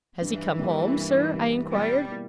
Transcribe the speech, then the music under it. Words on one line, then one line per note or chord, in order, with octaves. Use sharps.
'Has he come home, sir?' I inquired.
G2 E3
G3 A#3 E4
G2
G3 A#3 E4
B2 G3
A#3 E4